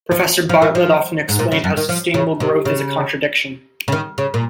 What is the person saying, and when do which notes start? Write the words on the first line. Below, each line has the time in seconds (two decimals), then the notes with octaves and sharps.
Professor Bartlett often explained how sustainable growth is a contradiction.
0.11 F3
0.49 F3
0.62 D#3
0.75 F3
1.29 G#2
1.39 A#2
1.52 C#3
1.64 F#2
1.77 D#3
1.89 F3
2.14 C#3
2.40 C3
2.65 C#3
3.88 C#3
3.92 D#3
4.18 C#3
4.34 A#2